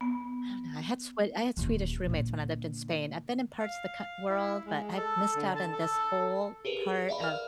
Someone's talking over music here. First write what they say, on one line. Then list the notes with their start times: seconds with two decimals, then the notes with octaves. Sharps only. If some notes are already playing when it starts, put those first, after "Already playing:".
I don't know, I had Sw I had Swedish roommates when I lived in Spain. I've been in parts of the cou world, but I've missed out on this whole part of
0.01 B3
1.57 D#1 D#2
2.06 A#2 D3
3.59 F5
4.29 E4
4.66 G#3
4.97 A4
5.35 D3
5.56 A5
5.72 A4
6.65 G4 G#4 A#4 B4
7.09 D5 E5 F5 B5
7.21 A#4 F5 F6